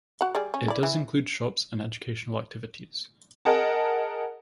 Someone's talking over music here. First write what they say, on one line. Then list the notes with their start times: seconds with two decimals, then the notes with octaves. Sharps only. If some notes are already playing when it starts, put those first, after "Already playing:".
It does include shops and educational activities.
0.21 F#4 F#5
0.35 G3 G#4 D5
0.54 C#4
0.68 E4 D5
0.83 E3
3.45 G#4 A#4 D#5 F#5 A5